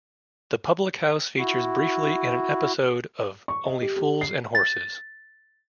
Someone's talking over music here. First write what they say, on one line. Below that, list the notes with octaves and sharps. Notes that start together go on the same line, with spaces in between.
The public house features briefly in an episode of "Only Fools And Horses".
E4 F#4
C#6
D#5
G4
G4
C7
A6